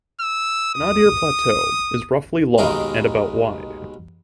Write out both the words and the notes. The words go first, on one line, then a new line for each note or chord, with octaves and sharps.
The Anadyr Plateau is roughly long and about wide.
E6
D#6
D#2 B2 D#3 G#3 A#4 C6